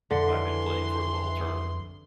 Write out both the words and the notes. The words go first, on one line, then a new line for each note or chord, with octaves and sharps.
I've been playing for them all term.
F2 D3 E3 C6